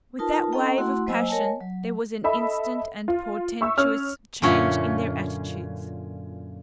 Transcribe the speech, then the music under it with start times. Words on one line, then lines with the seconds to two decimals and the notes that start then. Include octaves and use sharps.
With that wave of passion there was an instant and portentous change in their attitudes.
0.19 D#4 F4 A#4 B4 A5
0.52 C#4 A4 D#5 G5 A#5
0.78 A3 E4 F#4 F#5 C6
1.07 F#3 A#3 C5 D#5 G#5 E6
1.28 A#4 C#5 D#5 G#5 A5
1.61 F#3
2.24 A4 D#5 E5 B5
3.08 F4
3.61 E5 C#6 E6
3.77 C#4 F6
4.42 F#2 A#2 D3 C#4 F4 E5